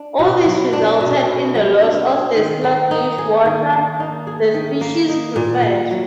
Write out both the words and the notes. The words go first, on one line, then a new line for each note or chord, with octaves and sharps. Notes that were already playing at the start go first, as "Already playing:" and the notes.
All this resulted in the loss of the sluggish water the species preferred.
Already playing: D4
B2
F#3
D4
B2
B2
F#3
D4
G#4
D#3
A#3
D#4
G#4
D#3
A#3
D#4
G#4
D#3
A#3
D#4
A#2
A#2
F#3